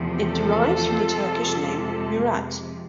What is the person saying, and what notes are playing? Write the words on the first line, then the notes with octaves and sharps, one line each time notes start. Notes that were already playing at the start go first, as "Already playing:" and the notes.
It derives from the Turkish name Murat.
Already playing: E2 C3 F3 A3 C4
F4 A4
F2 C3 F3 G#3